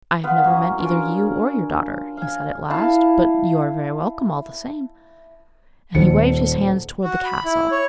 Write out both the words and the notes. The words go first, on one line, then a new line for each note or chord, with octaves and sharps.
'I have never met either you or your daughter,' he said at last; 'but you are very welcome all the same.' And he waved his hand towards the castle.
B3 F4 B4 F5
F#2 E3 C#4 A#5
C#4 D4 F4 A#4
F5 G#5
E4 F5 A5
D#1 D#2 D#3 C#7
F#4
B5
E4
C#5